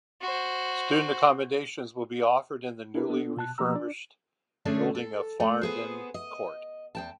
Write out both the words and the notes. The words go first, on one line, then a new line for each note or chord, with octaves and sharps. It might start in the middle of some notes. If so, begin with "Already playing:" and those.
Student accommodation will be offered in the newly refurbished building at Farndon Court.
F#4 C5
D4 E4 G#4 A#4 B4
B3 D4 A4
B2 A5 F#6
B2 F3 A#3 G4 A#5 E6
D4 D5
D3 A3 C#4 D4 G#4 C#5
A4
A3
B3 G#4 C5
D#5
E2 G5 A5